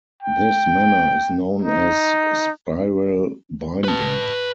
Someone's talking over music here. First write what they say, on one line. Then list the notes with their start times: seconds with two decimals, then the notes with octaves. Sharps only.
This manner is known as spiral binding.
0.23 G5
1.62 D#4
3.84 B4 A5